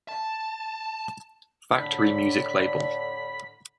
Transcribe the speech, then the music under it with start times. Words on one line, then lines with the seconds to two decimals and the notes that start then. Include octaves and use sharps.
Factory music label.
0.09 A5
1.76 A2 D3 B5